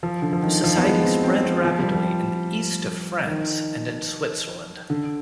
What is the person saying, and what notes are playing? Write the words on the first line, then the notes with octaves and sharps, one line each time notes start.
The society spread rapidly in the east of France and in Switzerland.
F3
D3
F3
D#3
F3
B3
G#3
C4
C4
C4
F3
G3
F3
D#3
D3